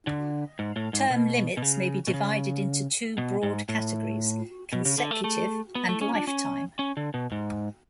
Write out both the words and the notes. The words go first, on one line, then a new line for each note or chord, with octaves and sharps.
Term limits may be divided into two broad categories: consecutive and lifetime.
D3
G#2
A2
G#2
B2
B2
C#3
B2
C#3
B2
G#2
A2
B2
C#3
D3
A3
A3
B3
A3
C#4
D4
C#4
C#4
D3
B2
G#2